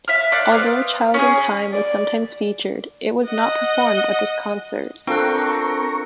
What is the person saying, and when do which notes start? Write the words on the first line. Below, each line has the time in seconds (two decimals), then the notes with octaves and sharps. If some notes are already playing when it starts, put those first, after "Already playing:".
Although "Child in Time" was sometimes featured, it was not performed at this concert.
0.08 E5 F5 F6
0.32 A#3 D5 F5 F#5
0.51 B3 C4 F5
1.14 C#4 F#4 G#4
1.72 D5
3.25 D#5 F#5
5.07 C4 D4 F4 A4 A#4 D5 C#6 F#6